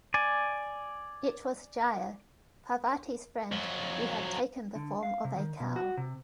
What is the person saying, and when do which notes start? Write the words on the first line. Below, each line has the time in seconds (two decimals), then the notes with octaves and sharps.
It was Jaya - Parvati's friend, who had taken the form of a cow.
0.14 D5 G#5
3.52 F2 F#3
4.75 D3
5.03 F5
5.24 C3
5.38 D#3
5.60 B2
5.76 F#4
5.97 C3